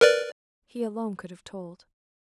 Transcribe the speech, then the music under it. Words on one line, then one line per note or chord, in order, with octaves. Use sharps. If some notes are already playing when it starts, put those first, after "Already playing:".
He alone could have told.
A#4 B4 D5